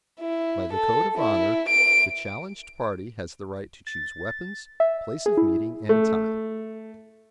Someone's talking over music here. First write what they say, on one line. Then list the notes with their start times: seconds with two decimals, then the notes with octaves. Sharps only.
By the code of honour, the challenged party has the right to choose weapons, place of meeting, and time.
0.20 E4
0.73 A4
1.18 E4
1.69 D7
3.87 A6
4.80 E5
5.26 G#4
5.37 E4
5.89 A3